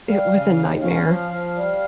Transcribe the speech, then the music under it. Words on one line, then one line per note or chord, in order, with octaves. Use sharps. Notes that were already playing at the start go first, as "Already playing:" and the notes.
it was a nightmare.
G3 F5
C#3
D#2
C#4 F5
F3
F3
G3